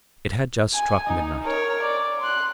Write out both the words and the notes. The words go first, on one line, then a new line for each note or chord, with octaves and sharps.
It had just struck midnight.
G#5
D#4
A#4 C#5
D5
C6 F#6